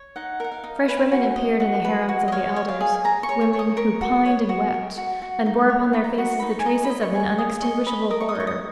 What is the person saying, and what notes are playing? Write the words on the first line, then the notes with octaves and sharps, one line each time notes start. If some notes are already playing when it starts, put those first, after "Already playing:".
Fresh women appeared in the harems of the Elders--women who pined and wept, and bore upon their faces the traces of an unextinguishable horror.
Already playing: C#5
D#4 F#5
A#4 F#5
F5
D#4
B4
F#4
D#5
F#4
B4
F#4
D#5
C#5 F5
C#5
F5
G#4
G#5
G#4 A#5
C#6
C#5
C#6
C#5
D#6
A#4 C#6
F#4
C#5
F#4
A#4
F#4
F#4
D#4
C#5
D#4 B5
A#5
F#4 B5
C#6
D#4 B5
C#6
G#5
D#5 A#5
B5
D#5
C#6
G#4
C#6
G#4 D#6
D#5 C#6
D#5 B5
A#4 D#6
C#6
D#6
D#4 C#6
D#6